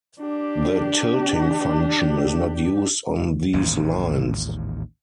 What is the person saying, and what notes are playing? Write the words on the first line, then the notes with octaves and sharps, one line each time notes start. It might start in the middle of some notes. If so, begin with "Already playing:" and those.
The tilting function is not used on these lines.
D4 G4
A1 D#2 G#2 C#3